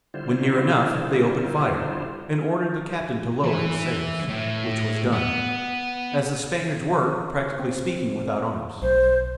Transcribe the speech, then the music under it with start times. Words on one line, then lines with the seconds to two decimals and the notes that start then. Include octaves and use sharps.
When near enough they opened fire, and ordered the captain to lower his sails, which was done, as the Spaniards were, practically speaking, without arms.
0.14 D3 G3 E4 F4 C5
3.45 E3
4.29 A2
5.13 B3
7.60 C4
8.82 B1 C5